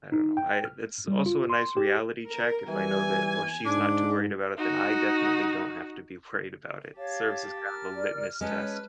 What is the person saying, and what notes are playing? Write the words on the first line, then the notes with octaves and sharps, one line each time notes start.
I don't know, I it's also a nice reality check if I know that, "Well, she's not too worried about it, then I definitely don't have to be worried about it." Serves as kind of a litmus test.
D#4
G5
F6
G3
F4
C6
G4
A#4
E3 G3 G#5
G#2 D4
D#4 F#4
G4 C#5 F5 A5
A#4 F6
A#4 D5
G#3 C#4 B4 C#5 A5